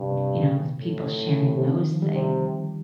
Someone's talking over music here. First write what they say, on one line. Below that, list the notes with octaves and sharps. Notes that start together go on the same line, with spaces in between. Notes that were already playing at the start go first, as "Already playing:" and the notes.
you know, with people sharing those things.
Already playing: G2 C3
C3
A#2
A2
D#3
C3
C3
C3
D3
D#3
F3
G3
C3 G3